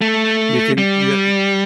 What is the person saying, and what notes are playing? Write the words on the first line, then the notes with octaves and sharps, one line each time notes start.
you can, you know y
A3
G3